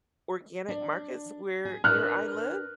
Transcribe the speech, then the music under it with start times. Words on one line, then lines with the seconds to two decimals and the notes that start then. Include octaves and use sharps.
organic markets where near I live,
0.68 D4
1.65 G#4
1.84 D4 A#4 B4 F6 F#6